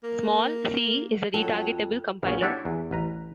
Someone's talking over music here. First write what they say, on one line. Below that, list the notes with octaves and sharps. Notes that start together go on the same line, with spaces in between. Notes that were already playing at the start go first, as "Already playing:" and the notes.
Small-C is a retargetable compiler.
A#3
F2 F#3 A4
A#1 B3 C#4
D4 E4 F#4 G4 A4 C#5
E2
A1 B4 A#5